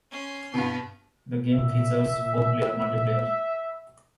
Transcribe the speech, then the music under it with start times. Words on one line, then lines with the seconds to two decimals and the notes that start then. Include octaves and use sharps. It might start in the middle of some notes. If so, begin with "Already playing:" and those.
The game features four-player multiplayer.
0.11 C#4 C6
0.54 G2 B2 B3
1.53 A#2 E5